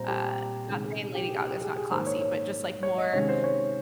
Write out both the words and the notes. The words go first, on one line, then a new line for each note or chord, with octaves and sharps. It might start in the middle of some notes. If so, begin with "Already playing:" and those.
Uh not saying Lady Gaga's not classy, but just, like, more,
Already playing: A#2 G3 C4 C5 A#5
G4
C3 D#3 G#3 C#4 G#4
G#4
G4
G#4
G4
G4
G#4
G#4
G#2 D#3 A#3 C5
C#5
C#5
C#5
D#5
C3 D#3 G#3 C#4 C#5
C5
C#5